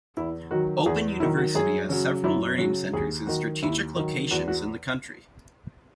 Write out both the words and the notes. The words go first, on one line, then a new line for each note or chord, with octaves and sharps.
Open University has several Learning Centers in strategic locations in the country.
E2 E4
D#3 F#3 F#4
E2 G#4
D#3 F#3 E4
F#4
F#2 G#4
C#3 F#3
F#2 E4
C#3 F#3 F#4
D#2 G#4
D#3 F#3 F#4
D#2 E4
D#3 F#3
E2 F#4
F#4